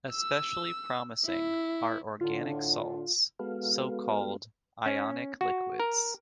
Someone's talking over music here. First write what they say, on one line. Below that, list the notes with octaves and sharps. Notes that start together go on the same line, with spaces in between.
Especially promising are organic salts, so called ionic liquids.
E6
E4
A2 D3 F4
G#3 B3 F#4 A4 B4 F5
C#4
F#4
A#4